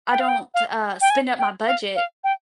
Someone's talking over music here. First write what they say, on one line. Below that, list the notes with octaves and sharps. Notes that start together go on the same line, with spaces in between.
I don't, uh, spend up my budget
G5
F5
G5
F5
G5
G#5
G5
F5
F5
G5